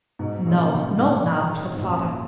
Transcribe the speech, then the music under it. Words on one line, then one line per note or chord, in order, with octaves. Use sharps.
"No, not now," said Father.
G#2 B2
A#2 C#3
B2 D#3
G#2 B2
G#2
F#2 A#2